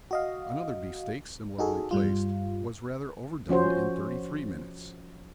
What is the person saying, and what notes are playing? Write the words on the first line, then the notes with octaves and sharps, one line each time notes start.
Another beef-steak, similarly placed, was rather overdone in thirty-three minutes.
F#4 D#5 F5
D#4 F#4 G#4 A4
G2 G3 F4
F3 C#4 F#4 C5